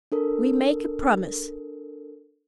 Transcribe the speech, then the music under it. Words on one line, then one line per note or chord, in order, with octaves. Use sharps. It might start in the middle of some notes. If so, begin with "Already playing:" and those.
We make a promise.
D4 A4 A#4